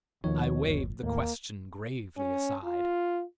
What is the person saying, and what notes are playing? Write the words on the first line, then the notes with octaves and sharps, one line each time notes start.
I waived the question gravely aside.
D#2 B2 D#3 F3 C#5
G1
D#2 A2 A#3
C#4
F4